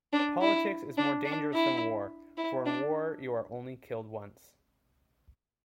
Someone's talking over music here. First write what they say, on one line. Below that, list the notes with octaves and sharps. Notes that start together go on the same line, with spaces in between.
Politics is more dangerous than war, for in war you are only killed once.
D4
E4
D4
D4
E4
E4
D4